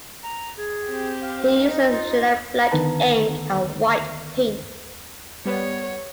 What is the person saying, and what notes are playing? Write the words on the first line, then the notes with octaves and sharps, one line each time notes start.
He uses shellac black ink and white paint.
A#5
G#4
C4 G4
F5
D#4
F4
D3 D#3 B3 B4 A5 A#5
G3 B3 C#5